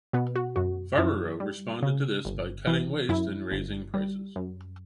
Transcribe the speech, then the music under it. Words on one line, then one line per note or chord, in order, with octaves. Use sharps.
Farberow responded to this by cutting waste and raising prices.
B2 B3
F#4
F#2 F#4
F#2 E4
G3
C#3
G1
E3
F#2 E4
G1
G3
F#2